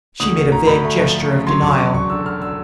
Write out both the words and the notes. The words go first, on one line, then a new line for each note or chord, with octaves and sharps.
She made a vague gesture of denial.
D2 D#6
D2
D2 A#5
D2 B5
A3
F3
A3
C#3
F#3 C6
E1 C#6
F#3 D6
E1 C#6
D3 E6
D3 F6
E6